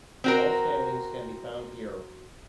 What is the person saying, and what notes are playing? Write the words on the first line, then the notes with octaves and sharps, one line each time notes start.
All standings can be found here.
C4 F#4 A#4